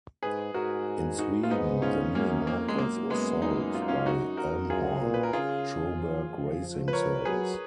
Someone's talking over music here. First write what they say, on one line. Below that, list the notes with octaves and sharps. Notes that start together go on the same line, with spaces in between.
In Sweden the Mini Marcos was sold by Elmhorn-Troberg Racing Service.
G#2 G#4 B4
G#2 F#4 A#4
D#4 F#4
F4
G#2 B3 D#4
C#4 F4
F#2 A#3 C#4
F2 A#3
G#3
F#2 A#3
G#3 B3
B3 D#4
F4
D#4
C#4 F4
D#4 F#4
F#4 A#4
F#2 F4 G#4
A#2
B4
A#4
C#3 F4 G#4
F3
F3
F3
B4
A#4 C#5
F#3 G#4 B4